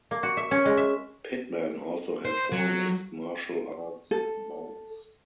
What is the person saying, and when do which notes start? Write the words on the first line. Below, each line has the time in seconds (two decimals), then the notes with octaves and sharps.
Pittman also had four mixed martial arts bouts.
0.11 A#3
0.23 F#4
0.37 E5
0.51 C#4
0.65 G#3
0.77 E5
2.25 C5
2.52 F#3
4.11 A4